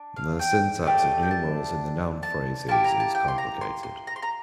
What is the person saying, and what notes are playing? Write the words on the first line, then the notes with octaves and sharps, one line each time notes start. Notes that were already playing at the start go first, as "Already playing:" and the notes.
The syntax of numerals in the noun phrases is complicated.
Already playing: D4
F5
G5
A3 D4 G4
G5
A5
A5
A#3 E4 G4 A5
A#5
A5
G5
C6
A#5
C6
C6
A#5
C6
A#5